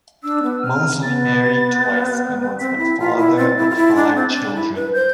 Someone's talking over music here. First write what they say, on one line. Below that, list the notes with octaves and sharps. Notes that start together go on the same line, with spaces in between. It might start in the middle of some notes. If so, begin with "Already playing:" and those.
Mosley married twice and was the father of five children.
D4 E6
B3
E6
C4 F6
B3 A6
C4 B6
E4
F4
E4
C4 A6
E4
F4
E4
D4
C4
C4
D4
E4
B4
C5 G6